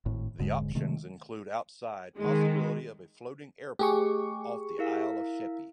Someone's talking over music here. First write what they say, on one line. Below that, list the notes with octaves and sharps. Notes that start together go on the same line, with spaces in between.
The options include outside possibility of a floating airport off the Isle of Sheppey.
G#1 A2
D#1 G#2 D3 G#3
C3 D#3 G#3 A3
D#3 G#3
A3 G4 G#4 C#6 D6
E4 A#4 F5